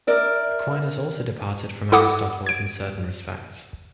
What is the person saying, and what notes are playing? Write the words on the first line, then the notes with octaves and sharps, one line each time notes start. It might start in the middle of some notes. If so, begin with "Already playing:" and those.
Aquinas also departed from Aristotle in certain respects.
A#4 D5 E5
E4 A4 F#5 D6 D#6
G#6 D7